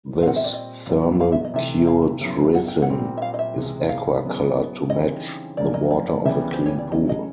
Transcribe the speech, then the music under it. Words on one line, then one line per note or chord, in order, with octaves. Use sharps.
This thermal-cured resin is aqua-colored to match the water of a clean pool.
A#2 G3 C4 F5
F#5
E5
D5
D#5
A#2 F#3 B3 E4
F5
E5
D#5
C3 E3 A3 E5
F5
C#3 F#3 B3 E4
F#5
G5
F#5
A#2 G3 C4
E5
F5
D#5
E5
C#2 C3 E3 G#3
F5
C#3 F#3 B3 E4 G#4
C#3 E3 G3 C4 D#4 D#5
F2 C#3 F#3 A#3 D5
D#5
D5
D5
C#2 C#3 E3 G3 B3 E5
C5
C#5
D5
C#3 F#3 A3 C#4 D#5
D#5